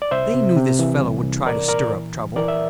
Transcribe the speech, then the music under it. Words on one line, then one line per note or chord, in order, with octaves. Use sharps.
They knew this fellow would try to stir up trouble.
D5
C2 C5 E5
C3
C3
E3
C2
C2
C2 A#4 D5
A#2 A#4 D5
E3
D2
E3 A#4 D5
E5